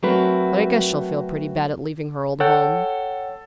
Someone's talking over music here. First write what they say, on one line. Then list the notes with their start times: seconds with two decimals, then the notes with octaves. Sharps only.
But I guess she'll feel pretty bad at leaving her old home.
0.03 F#3 A3 C4 F#4 A#4 B4
2.40 A4 C#5 F#5 G5